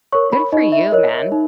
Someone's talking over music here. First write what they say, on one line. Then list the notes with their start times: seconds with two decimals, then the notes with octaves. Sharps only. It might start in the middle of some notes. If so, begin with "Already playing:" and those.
Good for you, man,
0.12 A#4 C#5 C#6
0.32 B5
0.52 D#4 D#5
0.72 E5
0.92 A#4 C#5 D#5
1.32 D#4